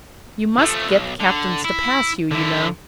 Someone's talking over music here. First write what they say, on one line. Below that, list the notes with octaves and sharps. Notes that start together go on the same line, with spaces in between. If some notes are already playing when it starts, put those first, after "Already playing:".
You must get the captains to pass you, you know.
F3 A3
B1
D3
E4
D3 E4